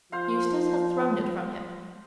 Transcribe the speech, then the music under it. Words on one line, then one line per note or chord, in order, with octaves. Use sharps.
Eustace had thrown it from him.
F3 C5 F5